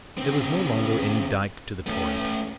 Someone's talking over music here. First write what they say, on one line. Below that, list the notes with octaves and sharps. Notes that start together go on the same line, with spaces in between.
There was no longer any dike to the torrent.
C#3 C4
A3 C#4